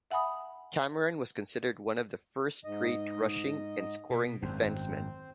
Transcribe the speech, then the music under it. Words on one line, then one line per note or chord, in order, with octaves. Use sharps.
Cameron was considered one of the first great rushing and scoring defencemen.
E5 F#5 G#5 B5 D#6
G#2 D#5
B2
G#1 F#2 C4 C5